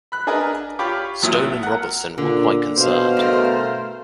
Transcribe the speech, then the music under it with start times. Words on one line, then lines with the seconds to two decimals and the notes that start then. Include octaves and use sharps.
Stone and Robertson were quite concerned.
0.12 B5 F#6
0.27 D4 G#4 A#4 B4 D#5
0.79 F4 G4 C#5 B5 D6
1.22 G#1 A#2 F#3 E4 D#6
1.63 A#4 F#5
2.18 A#2 D3
2.78 B2 C5 F5
3.17 G2 A3 A#4